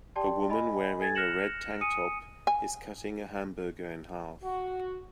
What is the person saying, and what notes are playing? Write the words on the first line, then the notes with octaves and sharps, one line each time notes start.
A woman wearing a red tank top is cutting a hamburger in half.
G4 D5 G5 A5 C6
D#5 G#5 B5
A4 G#5 G#6 A6
F6 F#6 A#6 C#7 E7 F#7
G#5 D#6 C#7 D#7
G#5
F#4